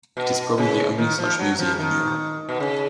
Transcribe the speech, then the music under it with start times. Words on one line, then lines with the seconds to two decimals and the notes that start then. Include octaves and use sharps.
It is probably the only such museum in Europe.
0.17 B2
0.58 C#3
0.98 D#3
1.18 F3
1.39 F#3
1.59 F3
1.74 C#3
1.79 D#3
2.49 B2
2.60 C#3